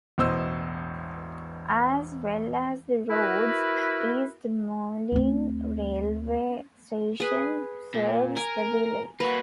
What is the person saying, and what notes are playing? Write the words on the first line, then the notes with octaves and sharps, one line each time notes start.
As well as the roads, East Malling railway station serves the village.
E1 A1 B2 C5 D#5 E6
E4 F#4 A#4 B4
D2 C4
G#4 B4
A#2
A#4 G#5
A#3 F#4 B4